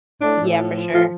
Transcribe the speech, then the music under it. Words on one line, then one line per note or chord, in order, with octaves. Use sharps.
Yeah, for sure.
A2 D4
A2
F3
F3
A2 F4